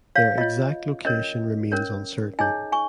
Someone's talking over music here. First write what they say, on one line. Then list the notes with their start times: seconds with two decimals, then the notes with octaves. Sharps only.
Their exact location remains uncertain.
0.15 C#5 F5
0.38 F4 C#5 D#5
1.05 C#4 A#4 C#5 D#5
1.72 C#4 A#4 C#5
2.39 D#4 G#4 C#5 D#5 G#5
2.72 G#5 C#6